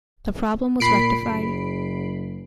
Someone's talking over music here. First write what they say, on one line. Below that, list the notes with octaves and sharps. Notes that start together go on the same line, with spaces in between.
The problem was rectified.
A#2 B5 C7 D7
F#1